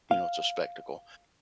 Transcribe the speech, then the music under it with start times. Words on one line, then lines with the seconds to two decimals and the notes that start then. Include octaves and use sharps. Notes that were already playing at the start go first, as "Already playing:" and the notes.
you know, it's a spectacle.
0.11 F5